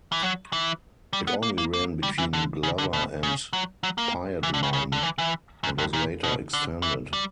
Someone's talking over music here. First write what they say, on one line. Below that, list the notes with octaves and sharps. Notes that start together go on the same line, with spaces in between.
It only ran between Glover and Piedmont and was later extended.
E3
F#3
E3
G3
B3
A#3
A#3
A#3
G3
E3
D3
C#3
D3
B2
C#3
F#3
F#3
A#3
E3
D3
C#3
C#3
D3
E3
E3
F#2
G2
A#2
B2
D3
E3
G3